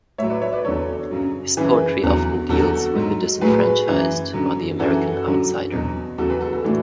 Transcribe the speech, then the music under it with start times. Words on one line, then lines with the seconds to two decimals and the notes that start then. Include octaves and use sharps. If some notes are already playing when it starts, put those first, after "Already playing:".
His poetry often deals with the disenfranchised, or the American outsider.
0.18 A2 C#5 E5
0.23 F#3
0.30 B4 D5
0.42 C#5 E5
0.53 B4 D5
0.65 E2 D3 F#3 A4 C#5
1.11 F#2 C#3 F#3
1.57 F#2 C#3 E3 G#4 B4
2.03 E2 D3 F#3
2.49 E2 D3 F#3 F#4 A4
2.95 G#2 F#3
3.41 A2 F#3 G#4 B4
3.88 F#2 E3
4.33 F#2 D3 F#3
4.79 F#2 E3 F#4 A4
5.27 F#2 D3 F#3
5.72 E2 B2 F#3
6.18 E2 C#3 F#3 F#4 A4
6.30 G#4 B4
6.41 F#4 A4
6.53 F#4 A4
6.64 A2 E3 D4 F#4